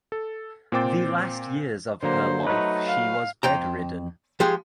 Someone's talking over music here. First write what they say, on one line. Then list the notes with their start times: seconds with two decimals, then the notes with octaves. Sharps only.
The last years of her life she was bedridden.
0.12 A4
0.72 A#2 C4 C5 G5 D6 A6
2.03 D3 F#3 A#3 C5
2.47 F#3 A3 D#4 B4
2.88 F5
3.43 F2 G5 A#5
4.40 F3 G#3 G4 G#4